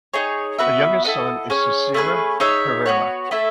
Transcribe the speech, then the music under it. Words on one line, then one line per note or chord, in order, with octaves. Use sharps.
Her youngest son is Sisira Perera.
D#4 G#4 C#5
B3 F#4 B4 E5
E4 A4 D#5 F#5
C#4 G#4 C#5
A3 C#4 G#4 B4
D#4 G#4 C#5 E5
B3 F#4 C#5
A3 E4 A4 E5